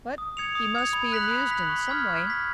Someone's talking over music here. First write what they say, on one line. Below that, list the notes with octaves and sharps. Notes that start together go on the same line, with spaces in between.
But he must be amused in some way.
D#6
G#6 C#7 F7
D#6
G#6 C#7 F7
B5
F#6 B6 F#7
B5
F#6 B6 F#7
C#6
F6 G#6 B6
C#6
F6 G#6 B6